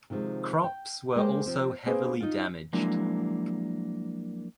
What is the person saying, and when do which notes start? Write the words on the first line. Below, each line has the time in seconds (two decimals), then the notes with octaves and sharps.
Crops were also heavily damaged.
0.10 C3 D#3 F3 G#3
0.64 G5
1.16 G#3 A#3 G4 C5
1.46 C3 F3 C4
1.86 A#3 C4 D4 G#4 B4 C5
2.20 D#4 F4
2.73 F3 F#3 G#3 A#3 D4 E4